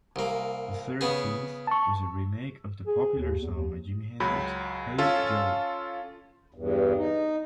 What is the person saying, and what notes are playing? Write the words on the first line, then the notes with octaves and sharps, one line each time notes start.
The thirteenth was a remake of the popular song by Jimi Hendrix, "Hey Joe".
C2 A#3
C#3 B3 G#4
A5 C#6
G#4
D#2
E2
D#2
C#2 F#3 B5
C#4 F4 A4
E2 G2
D#4